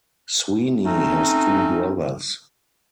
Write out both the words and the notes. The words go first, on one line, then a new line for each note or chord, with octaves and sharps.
Sweeney has two brothers.
A3 C4 C#4 D#4